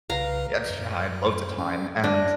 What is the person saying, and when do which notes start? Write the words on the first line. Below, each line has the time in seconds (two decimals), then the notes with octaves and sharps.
yeah, I had loads of time. And
0.10 C2 C#3 B4 F5 A#5
0.70 F#2
1.58 C#4
2.04 F#2 D4 A#6